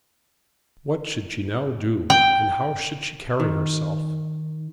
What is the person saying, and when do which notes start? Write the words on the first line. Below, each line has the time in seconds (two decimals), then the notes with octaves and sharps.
What should she now do, and how should she carry herself?
2.10 G5
3.40 D#3